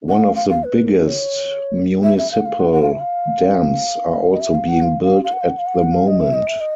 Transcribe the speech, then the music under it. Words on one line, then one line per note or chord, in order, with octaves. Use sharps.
One of the biggest municipal dams are also being built at the moment.
F#5
F5
F5
F5
B4
A#4
C#5
E5
E5
F5
F#5
F5
F#5
F#5
F5
E5
F5
D#5
E5
F5
F#5
F5
F5
F5
F#5
F5
F#5
F5
F#5
F5
F#5
F5
D#5
E5
D#5
E5
D#5